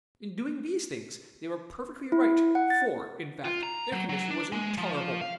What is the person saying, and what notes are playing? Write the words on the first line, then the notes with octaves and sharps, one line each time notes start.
In doing these things they were perfectly right; for, in fact, their condition was intolerable.
E4
F#5
A6
F4
A#5
F#3
F#3
D4
G#3
F3
F5